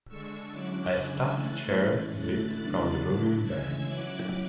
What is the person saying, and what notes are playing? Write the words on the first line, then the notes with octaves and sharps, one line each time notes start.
A stuffed chair slipped from the moving van.
D3 G#3 D4 C#6 E6
F#3 C#4 E4 D6 F#6
C#3 G#3 D4 E6 G#6
E3 A3 C#4 E4 F#6 A6
A2 E3 G#3 C#4 E4
D3 A3 E4 F#6 A6
C#3 F#3 B3 D4
D3 A3 E4
C#3 E3 G#3 C#4 E6 G#6
F#3 C#4 E4 D6 F#6